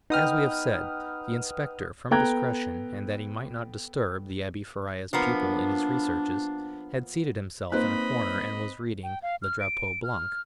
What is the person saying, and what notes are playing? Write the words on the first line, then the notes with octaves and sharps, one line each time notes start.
As we have said, the inspector, from discretion, and that he might not disturb the Abbe Faria's pupil in his researches, had seated himself in a corner, and was reading Le Drapeau Blanc.
B3 D#4 B4 G5 D#6 F6
B3 A4 G5 A#5 F#6 G#6
F3 A#3 B3 D4
A#3 C4 D#4 B4 C5 D#5 B5 F#6
G5
F5
F6
D7
F6